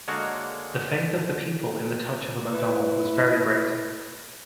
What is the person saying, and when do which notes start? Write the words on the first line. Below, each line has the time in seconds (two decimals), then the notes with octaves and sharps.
The faith of the people in the touch of a Macdonald was very great.
0.08 D3 G#3 A#3 F#4 C#5
2.53 E4 B4